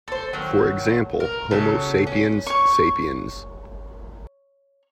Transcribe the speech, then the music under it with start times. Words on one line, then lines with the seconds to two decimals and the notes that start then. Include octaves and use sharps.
For example: "Homo sapiens sapiens".
0.08 A4 C5
0.33 D#3 F#3
1.20 A#4
1.51 C#3 F#3 A4
2.07 C#4
2.46 C#5 C#6